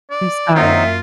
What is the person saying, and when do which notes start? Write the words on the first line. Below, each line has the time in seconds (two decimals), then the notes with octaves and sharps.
I'm sorry.
0.11 D5
0.55 F#2 F#3 A#3 C4 D#4 F4 E5